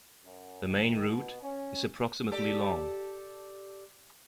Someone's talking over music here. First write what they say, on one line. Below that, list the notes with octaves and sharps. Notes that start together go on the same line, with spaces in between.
The main route is approximately long.
F#2
D#3
B2
C#4
G4 A4 D5